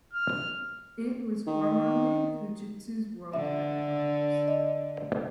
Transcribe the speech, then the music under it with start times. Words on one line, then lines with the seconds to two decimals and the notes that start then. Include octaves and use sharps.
It was formerly Fujitsu's world headquarters.
0.13 F6
1.47 D#3
3.33 D3 E5
4.48 D#5